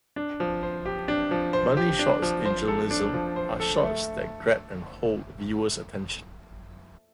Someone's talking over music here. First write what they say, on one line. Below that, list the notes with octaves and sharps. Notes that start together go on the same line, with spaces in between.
Money shots in journalism are shots that grab and hold viewers' attention.
D4
F3
C5
G4
D4
F3
C5
G4
D4
F3
C5
A4
D4
F3
C5
A4
A3